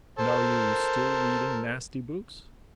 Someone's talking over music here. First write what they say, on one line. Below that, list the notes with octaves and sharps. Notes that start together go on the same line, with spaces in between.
"And are you still reading nasty books?"
A4 A#4 C5